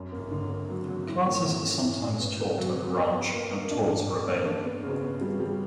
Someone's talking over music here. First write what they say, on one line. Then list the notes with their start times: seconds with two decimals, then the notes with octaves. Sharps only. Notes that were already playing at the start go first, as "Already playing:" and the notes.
Classes are sometimes taught at the ranch and tours are available.
Already playing: F#2
0.12 A#3
0.31 D3
0.50 A#3
0.70 F#3
0.88 F#3
1.07 E4
1.26 A#2
1.45 E4
1.64 C#4
1.82 E4
2.01 E4
2.21 B3
2.39 B3
2.58 F#3
2.77 F#3
2.96 B3
3.14 B3
3.33 A#3
3.52 A#4
3.71 D4
3.89 D4
4.09 A#4
4.27 A#3
4.46 D4
4.64 B3
4.83 C#3
5.03 B3
5.21 G3
5.40 G3